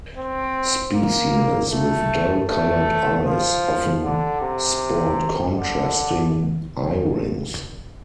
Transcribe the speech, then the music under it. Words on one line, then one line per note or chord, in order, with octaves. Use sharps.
Species with dull coloured eyes often sport contrasting eyerings.
C4
A#3
A3
A3
F3
D3
C3
D3